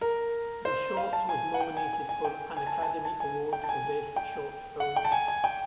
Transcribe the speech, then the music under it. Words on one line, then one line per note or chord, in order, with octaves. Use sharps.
The short was nominated for an Academy Award for Best Short Film.
A#4
C5
F5
A5
G#5
F#5
G5
G#5
G#5
G#5
G5
G#5
A5
G#5
A5
G#5
A5
G#5
G5
A5
G#5
G5
F#5
G5
A5
G#5
G#5
G5